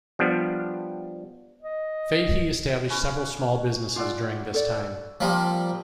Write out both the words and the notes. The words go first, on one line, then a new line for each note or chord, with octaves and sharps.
Fahy established several small businesses during this time.
F3 G3 B3 D4
D#5
C#4 B4
F4 D5 E5 F#5 D6
A4 D5
F3 G3 A#3 C4